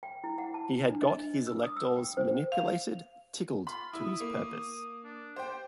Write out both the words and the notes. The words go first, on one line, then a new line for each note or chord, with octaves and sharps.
He had got his electors manipulated, tickled to his purpose.
G5
E4
F#5
A5
D4
D#5
D4
E6
D#6
E6
G5
C5
F5
F4 B5
E4 D#6
A#3
D4
G4 C5 G5